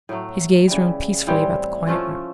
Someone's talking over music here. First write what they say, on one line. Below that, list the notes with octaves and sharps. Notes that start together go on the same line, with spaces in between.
His gaze roamed peacefully about the quiet room.
A2 F#3 A3
C#3 E3 G3
A2 E3 G3 C4
F3 A3 C#4 F4